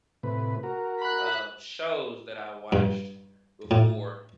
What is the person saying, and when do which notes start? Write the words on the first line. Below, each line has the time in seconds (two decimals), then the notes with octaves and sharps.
um, shows that I watched before.
0.23 A2 C3 B4
0.63 F#4 A#4
1.00 B5 F#6
2.72 G2
3.71 A2